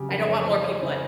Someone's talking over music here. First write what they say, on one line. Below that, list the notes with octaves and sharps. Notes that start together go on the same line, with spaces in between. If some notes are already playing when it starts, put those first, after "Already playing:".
I don't want more people in
Already playing: C#3 F#3 G4
F1 A#4
C#5
E3 C5
C#5
C#3 C5